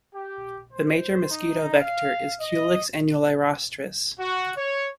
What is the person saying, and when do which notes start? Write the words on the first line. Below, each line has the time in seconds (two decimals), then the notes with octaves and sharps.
The major mosquito vector is "Culex annulirostris".
0.15 G4
0.73 C5
1.31 D#4
1.80 F5
2.40 D#5
4.20 F#4
4.57 C#5